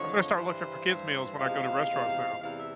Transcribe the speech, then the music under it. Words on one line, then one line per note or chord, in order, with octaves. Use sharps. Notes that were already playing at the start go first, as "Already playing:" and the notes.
I'm gonna start looking for kids meals when I go to restaurants now.
Already playing: F2 D3 F3 G#3 C#5
G2 E3 G3 C5
G2 E3 G3
E2 C3 F3 G#3 F5
E2 C3 F3 G#3
E2 C3 E3 G3 F5
E5